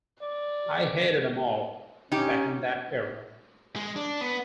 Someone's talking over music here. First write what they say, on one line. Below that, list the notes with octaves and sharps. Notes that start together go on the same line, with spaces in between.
I hated 'em all, back in that era.
D5
C#4 D#4 G4
G#3
D4
B3